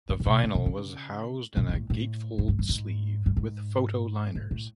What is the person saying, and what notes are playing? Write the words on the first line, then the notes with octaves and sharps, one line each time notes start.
The vinyl was housed in a gatefold-sleeve with photo-liners.
G#2
A#2
B2
C#3
C3
C#3
A#2
G#2
A2
A2
A2
G#2
G2
G#2
G2
G#2
G#2
A2